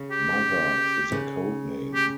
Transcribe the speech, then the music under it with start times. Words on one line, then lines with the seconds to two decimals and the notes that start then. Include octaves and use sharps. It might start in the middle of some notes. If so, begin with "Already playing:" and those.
"Mother" is a codename.
Already playing: C#3
0.11 G4
1.12 C#3
1.94 G4